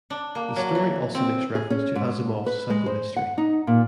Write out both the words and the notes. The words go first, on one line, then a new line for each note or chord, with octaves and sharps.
The story also makes reference to Asimov's psychohistory.
D4
A#3
F#3
E3
C4
G#4
C#4
G#2
B4
G#3
C5
F#5
D#4
A#2